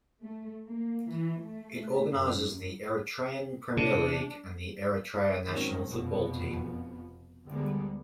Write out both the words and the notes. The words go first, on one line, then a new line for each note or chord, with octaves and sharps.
It organizes the Eritrean Premier League and the Eritrea national football team.
A3
A#3
E3
A3
F#2
C3 D4
G#2 D#3 F#3 C4 C#4
F1 B2 F3 B3
D2 D3 G3 G#3 B3